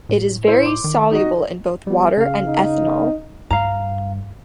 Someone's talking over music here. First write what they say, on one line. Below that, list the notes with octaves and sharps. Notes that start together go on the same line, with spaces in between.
It is very soluble in both water and ethanol.
A2
E4 C5 E5
C6 D6
D#3
D#4 F#4 D#5
G3 B3
C#3 F5
D#4
G2 F5 A#5